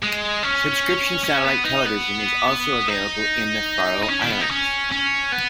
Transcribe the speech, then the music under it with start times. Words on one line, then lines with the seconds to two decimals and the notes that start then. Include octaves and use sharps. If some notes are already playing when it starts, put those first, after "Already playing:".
Subscription satellite television is also available in the Faroe Islands.
0.02 G#3
0.43 C#4
1.24 C#4
1.45 B3
1.65 D#4
1.86 B3
2.88 D#4
4.03 D#4
4.10 C#4
4.20 D#3
4.31 B3
4.41 D#4
4.51 C#4
4.92 C#4
5.32 B3